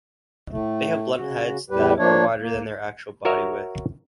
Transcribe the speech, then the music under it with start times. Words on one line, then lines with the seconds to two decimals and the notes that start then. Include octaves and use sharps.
They have blunt heads that are wider than their actual body width.
0.51 A2 A3
1.17 C#3 F#4
1.70 E2 A2 G3 G4 B4
1.98 F3 A#3 D4 C#5
2.41 A#3
3.25 F#4 A#4 C#5 E5